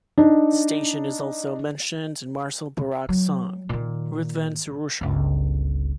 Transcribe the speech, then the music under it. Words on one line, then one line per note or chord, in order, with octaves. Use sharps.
The station is also mentioned in Marcel Borrack's song "Ruthven to Rushall".
D4 D#4
F#3
A#2 D#3
G1 C#2